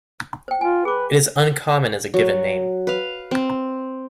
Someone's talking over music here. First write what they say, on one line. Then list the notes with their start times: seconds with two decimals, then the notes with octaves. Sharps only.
It is uncommon as a given name.
0.48 C5 G5
0.61 F4 G#5
0.85 G#4 B4 D6
2.14 F#3
2.87 B4 F5
3.31 C4